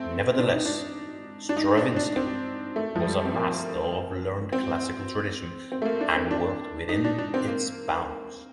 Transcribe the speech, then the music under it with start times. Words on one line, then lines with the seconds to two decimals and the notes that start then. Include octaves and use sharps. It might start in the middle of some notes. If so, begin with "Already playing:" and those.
Nevertheless, Stravinsky was a master of learned classical tradition and worked within its bounds.
Already playing: A3 C4
0.39 D4
0.52 D#4
0.65 D4
1.49 D4
1.57 D#4
1.77 D4
1.96 D4
2.16 C4
2.76 A3
2.96 F3
3.05 G3
3.25 C4
3.34 A#3
4.53 C4
5.72 C4
5.82 A3
5.85 A#3
6.01 D4
6.15 C4
6.31 D4
6.89 D#4
7.04 D4
7.19 D4
7.34 C4
7.48 A#3